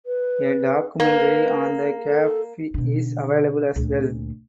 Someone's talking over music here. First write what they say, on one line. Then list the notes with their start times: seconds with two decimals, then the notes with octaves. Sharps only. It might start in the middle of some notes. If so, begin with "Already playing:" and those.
A documentary on the cafe is available as well.
0.06 B4
1.00 A#3 B4
2.05 A4
2.74 B2 D3
3.76 D2 A#2